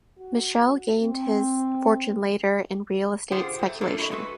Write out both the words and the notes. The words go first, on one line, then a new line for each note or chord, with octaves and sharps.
Michel gained his fortune later in real estate speculation.
F#4
C4
F4 G4 G#4 C5 F#5 G5
G#2 A3
A3 A#3 D4 F4 A4 A#4
G#2 F#3 E4 F#4 C#5 D#5
G#3 F#4 A4 B4